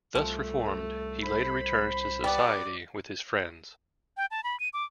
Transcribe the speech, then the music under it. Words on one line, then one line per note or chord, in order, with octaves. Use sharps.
Thus reformed, he later returns to society with his friends.
C2 F3 A3
C5 B5
G3 B3 D5
G5
A5
B5
D#7
D6